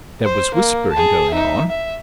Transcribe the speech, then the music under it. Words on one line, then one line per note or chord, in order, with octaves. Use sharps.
There was whispering going on.
C5
A#3
G#4 A5
D#4 E5
E5